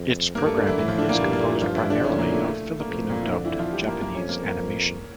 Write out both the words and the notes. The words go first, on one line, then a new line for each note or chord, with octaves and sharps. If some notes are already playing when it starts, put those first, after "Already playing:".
Its programming is composed primarily of Filipino-dubbed Japanese animation.
Already playing: F2
G2 A#3 A#4
A3 A4
D3 D4
E3 E4
A2 E3 E4
F3 F4
D3 D4
A#2 A#3
G2 G3
A#3
A3
G2 F3 F4
E3 E4
D3 D4
F2 C#3 C#4
A#2 A#3
A3
A#3
F2 A3
A#2 A#3
E4
D3 D4
E3 E4
F3 F4
G3 G4
A#3 A#4
A#3 A#4
F2 C#4 C#5
A#3 A#4
A#3 A#4